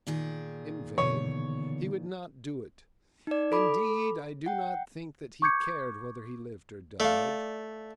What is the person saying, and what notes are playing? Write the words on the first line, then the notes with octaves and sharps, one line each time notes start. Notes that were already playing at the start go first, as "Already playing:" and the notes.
In vain; he would not do it, indeed I do not think that he cared whether he lived or died.
A#2 D#3 G#4
B2 D3 E3 C#5
D#4 D5
A4 B5 D6
F#5 G5
C#6 D6 G6 G#6 C#7
A3 D5 F5